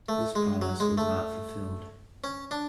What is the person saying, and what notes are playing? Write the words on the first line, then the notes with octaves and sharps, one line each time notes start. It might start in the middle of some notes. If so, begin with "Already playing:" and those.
This promise was not fulfilled.
A3
G#3
F#3
G#3
A3
C#4
D4